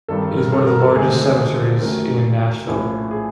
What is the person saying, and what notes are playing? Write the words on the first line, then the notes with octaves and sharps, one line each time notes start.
It is one of the largest cemeteries in Nashville.
G#1 G2 D#3 G3 A4
A4
A#4
A4
A#4
A4
D2 C3 D#3 G#3 C4 G#4
A4
G#4
F#2 D#3 F#3 A3 C#4 A#4
A#1 A2 F3 A3 C#4
G#4